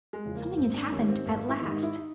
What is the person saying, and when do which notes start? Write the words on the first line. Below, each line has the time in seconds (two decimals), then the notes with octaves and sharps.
Something has happened at last.
0.13 G#3
0.24 E2 C#3 F3
0.35 A#3
0.57 G#1 C4
0.75 D4
0.91 G#2 D#3 G3 C#4
1.08 C4
1.25 G#1 A#3
1.49 E4
1.60 G#2 D#3 G3
1.71 D#4
1.83 E4
1.95 D#4